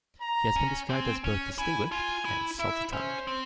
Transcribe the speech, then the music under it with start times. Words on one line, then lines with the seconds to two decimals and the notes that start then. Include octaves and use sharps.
He has been described as both "distinguished" and salty-tongued.
0.22 A#5
0.56 C#4
0.90 C4 G#5
1.24 C#4 G#5
1.58 E4 G#5
1.92 F4 G#5
2.25 E4
2.59 E4 E5
2.93 C#4 C5
3.27 C4